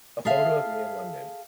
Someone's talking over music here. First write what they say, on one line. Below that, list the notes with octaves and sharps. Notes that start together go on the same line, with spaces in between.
A photo of me in London!
G#4 A4 E5 F5